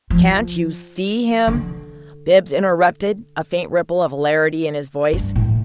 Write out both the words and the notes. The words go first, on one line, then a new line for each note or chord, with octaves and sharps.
"Can't you SEE him?" Bibbs interrupted, a faint ripple of hilarity in his voice.
F3
D3
G2
A2